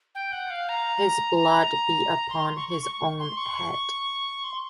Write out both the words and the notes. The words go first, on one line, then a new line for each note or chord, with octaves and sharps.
His blood be upon his own head.
G5
F#5
F5
A#5
C6
C#6
C#6
C#6
C6
C#6
C6